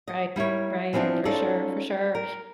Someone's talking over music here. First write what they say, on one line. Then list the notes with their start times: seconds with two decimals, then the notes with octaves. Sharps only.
Right, right, for sure, for sure.
0.08 D#5
0.36 G3 E4 A#4 C#5
0.93 E3 F3 B3 C4 D4 E4
1.25 C#4 D#4 F4 A4 C5 D5
2.15 A#4